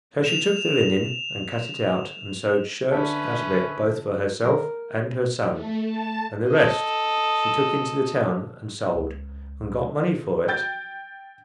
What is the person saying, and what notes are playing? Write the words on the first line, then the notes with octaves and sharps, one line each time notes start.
So she took the linen and cut it out, and sewed shirts out of it both for herself and her son, and the rest she took into the town and sold, and got money for it.
E7 F7
D3 C#4 A4 B4 E5
A#4
A3
A5
A4 D#5
C#2
G5 G6 A6